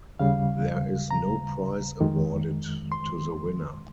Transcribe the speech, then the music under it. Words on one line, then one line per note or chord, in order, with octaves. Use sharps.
There is no prize awarded to the winner.
D#2 C#3 G3 F5
A#5
F2 D#3 G#3
C6